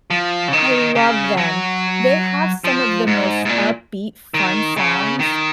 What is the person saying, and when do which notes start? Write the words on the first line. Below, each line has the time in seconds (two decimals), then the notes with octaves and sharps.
I love them. They have some of the most upbeat fun songs,
0.10 F3
0.48 C#3
0.53 D#3
0.95 C#3
1.37 F#3
2.64 F3
3.07 G#2
3.45 G#2
3.49 A#2
4.34 D#3
4.76 C#3
5.20 D#3